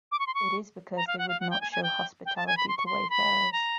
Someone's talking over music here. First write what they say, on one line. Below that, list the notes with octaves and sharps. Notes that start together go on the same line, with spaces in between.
It is because they would not show hospitality to wayfarers.
D6
C#6
C6
C#6
A#5
F5
F#5
F5
F#5
G5
G#5
G#5
G5
G5
A5
G#5
B5
C6
C#6
C6
B5
A#5